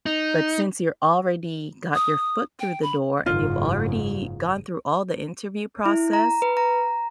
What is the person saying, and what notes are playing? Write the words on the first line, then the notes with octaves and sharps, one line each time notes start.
But, since you already got your foot through the door and you've already gone through all the interview process,
D#4
D#6
G5
B5
F#1 G#2 F4
E4
A#5
B4
A#5